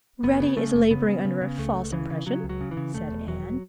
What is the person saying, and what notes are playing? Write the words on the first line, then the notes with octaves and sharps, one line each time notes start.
"Reddy is laboring under a false impression," said Anne.
F#1 B3
C#3
C#3 A3
F#1
C#3 B3
C#3
C#3
C#3
C#2 A3
C#2
C#3 E3
C#3
C#3 F#3
C#2
F#3
C#3
E3
C#3
E1 A3
E2
E1 F#3